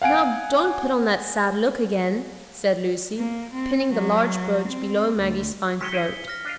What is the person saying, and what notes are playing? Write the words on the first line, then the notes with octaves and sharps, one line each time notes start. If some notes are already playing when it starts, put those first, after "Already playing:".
"Now, don't put on that sad look again," said Lucy, pinning the large brooch below Maggie's fine throat.
F5 F#5 G#5 D7
A#3
C4
F#3
C4
D2
D#3 F#3 G#3 B6 C#7 G7
D#4 E4 G#4
F6 A#6
D4 D#5 F5